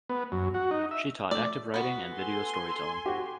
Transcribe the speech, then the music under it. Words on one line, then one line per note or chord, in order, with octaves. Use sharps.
She taught active writing and video storytelling.
B3
F#2
F#4
D#4
E5
A3 D5
B3 F#4
A4 G#5 C6
F#4 G4